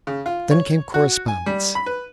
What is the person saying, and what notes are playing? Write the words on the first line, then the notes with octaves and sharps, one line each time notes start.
Then came correspondence.
C#3
F4
C#5
F#4
G#5
G3
B5
B4